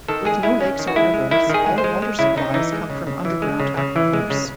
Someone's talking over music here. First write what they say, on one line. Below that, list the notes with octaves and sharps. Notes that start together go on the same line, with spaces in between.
With no lakes or rivers, all water supplies come from underground aquifers.
D#3 A4
G#3 G#4
G#3 E4
D#3 C#4
D#3
F#4
G#3 E4
G#3
D#3 E4
D#3 G#4
G#3
C5
G#3
G#3
C#3 E4
C#3 D#4
E3 D#4
G#3
C#3
C#3
E3
G#3
C#3
C#3
E3
G#3
C#3